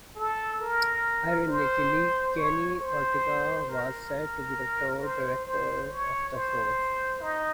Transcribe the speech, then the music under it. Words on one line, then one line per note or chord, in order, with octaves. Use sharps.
Ironically, Kenny Ortega was set to be the tour director of the shows.
A4
A#4
C5
C#5
C5
A#4
C5
C5
C#5
C5
D#4